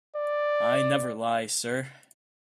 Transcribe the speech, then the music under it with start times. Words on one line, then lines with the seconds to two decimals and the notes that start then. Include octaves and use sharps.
I never lie, sir.
0.16 D5